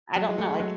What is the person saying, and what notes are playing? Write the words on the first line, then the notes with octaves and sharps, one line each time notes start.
I don't know, like,
F#3
G#3
A3
G#3
F#3